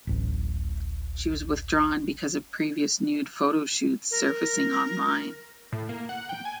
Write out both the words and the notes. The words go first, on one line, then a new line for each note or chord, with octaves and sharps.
She was withdrawn because of previous nude photoshoots surfacing online.
D1 A1
A#4
A2
A#3
F#5
G5
G#5